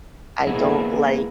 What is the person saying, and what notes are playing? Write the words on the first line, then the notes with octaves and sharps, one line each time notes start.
I don't like,
G#3 A#3 B3 E4